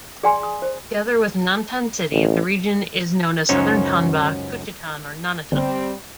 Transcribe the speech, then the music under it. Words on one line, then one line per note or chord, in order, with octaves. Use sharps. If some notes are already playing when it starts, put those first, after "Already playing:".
Together with Nantan city, the region is known as Southern Tanba, Kuchitan or Nanatan.
G#4 D5 G5 G#5 C6
D#6
C5
A1
C#2 F#2 C#4 D#4 C5 C#5
G1 G3 C4